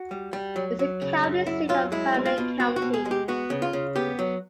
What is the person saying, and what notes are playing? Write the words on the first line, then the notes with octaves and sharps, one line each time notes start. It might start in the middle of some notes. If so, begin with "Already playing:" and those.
It is the county seat of Hamlin County.
Already playing: F#4
G3
G3
F#3
F#3
C#3
F#2
F#2 E4
F#3 F4
G#3 E4
B2
F4
B2
C4 F#4
F#4
B2
G#4
G#3
G4
B3 F#4
C#3
F4
C#3
B3 G4
F#3